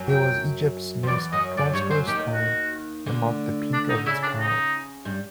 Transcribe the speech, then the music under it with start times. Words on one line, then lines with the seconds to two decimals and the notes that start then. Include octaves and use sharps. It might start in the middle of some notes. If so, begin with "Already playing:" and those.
It was Egypt's most prosperous time and marked the peak of its power.
Already playing: F#2 F#3
0.09 G5
1.03 F3
1.07 E2 E3 D5
1.32 F#2 F#3 D#5
1.57 F#2 F#3 D5
1.73 G2 G3 C#5
1.90 F#2 F#3 C5
2.07 D#2 D#3 G4
2.32 F#4
3.06 D2 D3
3.73 D4
3.89 D#4
3.95 D3
4.06 C#3 E4
4.22 D4
4.39 D#4
5.05 G2 G3